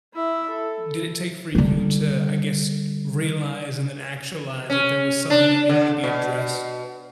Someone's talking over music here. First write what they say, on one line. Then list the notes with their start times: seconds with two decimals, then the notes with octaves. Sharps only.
did it take for you to, I guess, realize and then actualize that there was something that needed to be addressed?
0.14 E4 E5
0.49 A4
1.55 D3 G3
4.70 C#4
5.30 D4
5.69 D3
6.03 B2